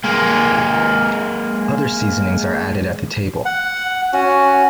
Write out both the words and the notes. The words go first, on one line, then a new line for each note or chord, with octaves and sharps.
Other seasonings are added at the table.
G#3 A#3
F#5
C#4 F#4